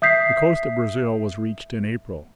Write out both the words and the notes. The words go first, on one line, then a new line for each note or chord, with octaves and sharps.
The coast of Brazil was reached in April.
E5 D#6 G6 B6 C7